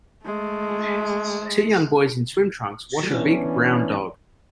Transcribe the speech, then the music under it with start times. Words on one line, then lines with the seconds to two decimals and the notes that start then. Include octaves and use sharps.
Two young boys in swim trunks wash a big, brown dog.
0.25 G#3 A3
3.11 E3 B3 C#4 D4